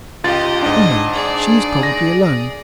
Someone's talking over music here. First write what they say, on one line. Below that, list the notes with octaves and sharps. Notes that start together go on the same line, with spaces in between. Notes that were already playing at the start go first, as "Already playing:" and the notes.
"Oh, no; she is probably alone."
C#2 F4 G4 D#5 A6
G#2 D4 D#5
G#4 D5
A#6